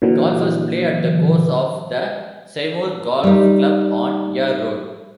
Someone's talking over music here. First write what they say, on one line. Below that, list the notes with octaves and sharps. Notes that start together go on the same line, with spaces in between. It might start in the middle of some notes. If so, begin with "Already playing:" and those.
Golfers play at the course of the Seymour Golf Club on Yea Road.
A#2 D3 E3 F#3
G3 D#4